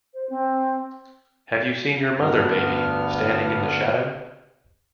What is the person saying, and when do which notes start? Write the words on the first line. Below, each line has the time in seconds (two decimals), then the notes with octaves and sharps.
Have You Seen Your Mother, Baby, Standing in the Shadow?
0.14 C5
0.30 C4
2.17 D2 G2 B3 F6